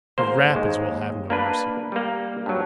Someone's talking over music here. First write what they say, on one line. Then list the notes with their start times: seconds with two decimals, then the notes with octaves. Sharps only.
The rapids will have no mercy.
0.18 G#1 A#3 C5
0.55 D#2 G#3
1.30 A#3 D4 B4
1.92 G3 A#3
2.46 G2 F#3